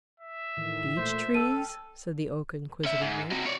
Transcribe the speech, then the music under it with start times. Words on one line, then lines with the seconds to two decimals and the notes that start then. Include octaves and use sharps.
"Beech Trees?" said the Oak inquisitively.
0.20 E5
0.57 A2 D#3 E3
0.98 A#2 A3 C5
1.34 A4 G5 E6 F6 D#7
2.85 C#4 E5
3.01 G#2
3.32 C3 F#4
3.46 C#5 D5